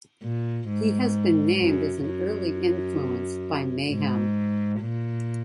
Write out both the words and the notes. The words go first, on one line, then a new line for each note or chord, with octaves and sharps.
He has been named as an early influence by Mayhem.
A#2
G#2
F#2
F#2
G#2
A#2